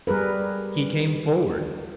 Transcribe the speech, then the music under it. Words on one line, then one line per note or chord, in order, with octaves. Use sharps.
He came forward.
G3 G#4 A#4 B4